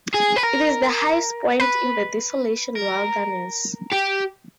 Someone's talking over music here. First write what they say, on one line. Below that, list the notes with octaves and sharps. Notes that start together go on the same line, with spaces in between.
It is the highest point in the Desolation Wilderness.
G#4
B4
A#4
B4
A#4
G4